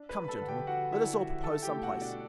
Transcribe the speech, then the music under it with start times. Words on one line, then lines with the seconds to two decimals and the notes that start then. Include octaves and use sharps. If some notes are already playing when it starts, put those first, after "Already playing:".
Come, gentlemen, let us all propose some place.
Already playing: D4
0.09 B4 B5
0.16 G3
0.24 B5
0.28 A4 A5
0.41 D3
0.48 G4 G5
0.67 D3 F#4 F#5
0.92 D4 E4 E5
1.18 G3 F#4 F#5
1.44 E4 A4 A5
1.63 G4 G5
1.69 A3
1.83 F#4 F#5
1.95 B2
2.01 D4 D5